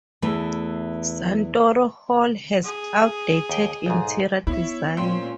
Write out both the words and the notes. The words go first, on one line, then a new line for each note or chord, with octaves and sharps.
Santoro Hall has outdated interior design.
E2 E3 A3
G#4
D#2 G5
B1 G#2
B3 E4 C#5 E5
A#2 G#3 C4 C#4 C6